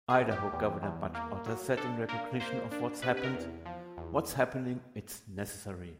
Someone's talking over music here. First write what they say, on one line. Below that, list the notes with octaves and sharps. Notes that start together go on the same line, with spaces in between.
Idaho governor Butch Otter said In recognition of what's happened, what's happening, it's necessary.
G#4
A2
G4
E2
E2
A#3
F#3
D4 A4
A#3 A#4
A#3 C5
D4
C3 B4
B4
A#4
E2
F3
E2